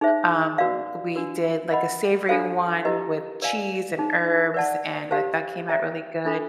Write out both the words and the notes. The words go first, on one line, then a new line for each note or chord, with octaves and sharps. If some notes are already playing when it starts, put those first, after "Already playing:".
um, we did, like, a savory one with cheese and herbs, and but, that came out really good.
D#4 G#4 C5 E5
F#4 B4 D5 F5
D4 F#4 B4
B4 D#5 F#5 B5
D4 F4 A4 C5 F5
E4 G4 B4 D#5
B4 D5 F5 G#5
D#4 G#4 C5
B4 D5 F#5 A5
G4 C5 F5 A5
C5 E5 G5 A#5
D4 F4 A4